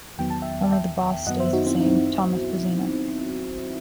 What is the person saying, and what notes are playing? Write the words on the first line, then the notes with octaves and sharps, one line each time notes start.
Only the 'boss' stays the same: Thomas Brezina.
E2 D#3 F#3 B3 G5
A5
E5 G5
E5 G5
F#2 D#3 F#3 B3 D#5 F#5
C5 E5
D#4 F#4
C4 E4
D#4